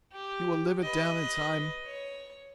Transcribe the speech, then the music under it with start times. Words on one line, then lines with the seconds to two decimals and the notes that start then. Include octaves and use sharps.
You will live it down in time.
0.12 G4
0.83 B4 D#5
1.86 C#5